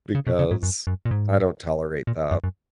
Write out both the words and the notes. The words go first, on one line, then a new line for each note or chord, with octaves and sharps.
because I don't tolerate that.
C#3
B2
C#3
G#2
F#2
F#2
A#2
G#2
A#2
F#2
F#2